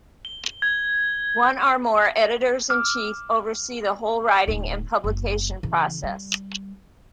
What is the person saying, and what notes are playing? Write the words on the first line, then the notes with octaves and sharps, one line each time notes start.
One or more Editors-in-Chief oversee the whole writing and publication process.
G7
G#6
D6 E6 F6
D1 D#4
F#1
C#3 E3
G3